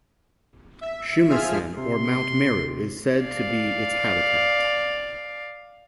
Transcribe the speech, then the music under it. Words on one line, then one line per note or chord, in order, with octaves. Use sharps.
Shumisen or Mount Meru is said to be its habitat.
E5
F3 F4 G#4 E5 F6
C3 C6
D5 F5